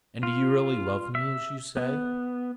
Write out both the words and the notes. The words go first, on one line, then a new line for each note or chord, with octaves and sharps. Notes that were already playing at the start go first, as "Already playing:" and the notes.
"And do you really love me as you say?"
F4
E5
B3